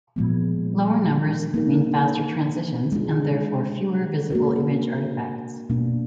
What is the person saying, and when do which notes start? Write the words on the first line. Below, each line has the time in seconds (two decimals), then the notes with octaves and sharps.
Lower numbers mean faster transitions and therefore fewer visible image artifacts.
0.16 A#2 F3 G#3 B3
1.54 A#3 D#4 A#4
2.92 G#3 D4 F4
4.30 A#3 D4 F#4 A#4
5.70 B2 A#3 D4